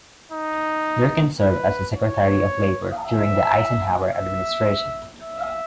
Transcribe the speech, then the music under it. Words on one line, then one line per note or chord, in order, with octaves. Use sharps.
Durkin served as the Secretary of Labor during the Eisenhower administration.
D#4
B4
C#5
E5
E5
E5